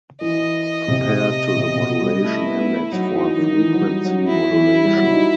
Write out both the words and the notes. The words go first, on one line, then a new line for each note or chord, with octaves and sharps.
Compare to the modulation index for frequency modulation.
E3 D#5
C3
C3
B2
G3
A3 E4
B3
A3
F#3 D#4
E3
D#3
E3
F#3
G3
F#3
E3 E4
E3
G3
F#3
D#4